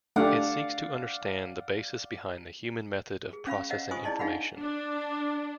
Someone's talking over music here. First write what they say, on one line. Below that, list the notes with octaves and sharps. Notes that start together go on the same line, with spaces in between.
It seeks to understand the basis behind the human method of processing of information.
A3 D4 G4 D5 F5 F#5
G#4
C#4 F5 B5 C#6
C#5 D#5 F5 F#5
F4 C5 G#5 C6 C#6 D#6
E4 G#4 D5 D#5 A5 C6
D4 D#4 G#4 F5 F#5 B5
D4